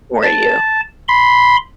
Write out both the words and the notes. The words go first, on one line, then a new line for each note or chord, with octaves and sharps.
for you.
A5
B5 C6